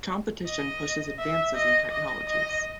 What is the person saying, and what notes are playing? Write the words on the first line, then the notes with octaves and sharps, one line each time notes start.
Competition pushes advances in technologies.
D#5
E5
D#5
D#5
D#5